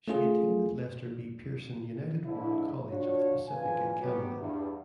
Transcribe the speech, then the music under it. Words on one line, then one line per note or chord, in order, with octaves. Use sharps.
She attended Lester B. Pearson United World College of the Pacific in Canada.
A3 C#4 F4 G#4
G#2 D3 F3 D4 E4
D4 F4 F#4 C#5
F2 D3 F4 B4 G#5
F#3 B3 G4
E2 G2